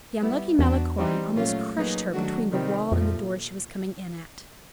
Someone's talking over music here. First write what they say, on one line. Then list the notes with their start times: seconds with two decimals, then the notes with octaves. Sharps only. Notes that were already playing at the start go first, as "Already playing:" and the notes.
The unlucky Malicorne almost crushed her between the wall and the door she was coming in at.
0.21 G3 B3 E4
0.59 E2 B3 D4 F#4
0.98 E3 G3 C4 D#4
1.36 A#2 F#3 A3 C#4 F4
1.75 F#3 A#3 D#4 G#4 B4
2.14 D#3 F#3 A3 D4 F#4
2.52 C3 D#3 G3 C4
2.91 F2 A#2 F3 A3